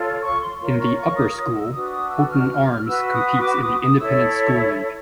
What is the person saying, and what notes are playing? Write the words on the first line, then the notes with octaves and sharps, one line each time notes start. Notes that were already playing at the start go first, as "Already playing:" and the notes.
In the Upper School, Holton-Arms competes in the Independent School League.
Already playing: F4 A4 C#5
C#6
C6
F4 A#4 C#5 C6
C#6
C#6
D#6
D#6
E6
D4 F#4 B4 D#6
D#6
E6
F6
F#4 B4 E6
D#6
D6
D#6
D#6
E4 A4 C#5 E6